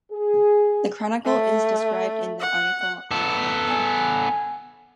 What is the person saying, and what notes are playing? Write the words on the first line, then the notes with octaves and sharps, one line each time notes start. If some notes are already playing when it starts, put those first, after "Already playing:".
The chronicle is described in the article on the author.
G#4
A3
F#5
B3 A4
G#5